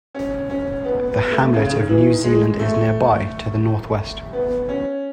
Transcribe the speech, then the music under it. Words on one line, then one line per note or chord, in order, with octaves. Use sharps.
The hamlet of New Zealand is nearby, to the northwest.
C#4
C#4
B3
B3
A3
C#3
C#3
D#3
E3
D#3
G#3
A3
B3
C#4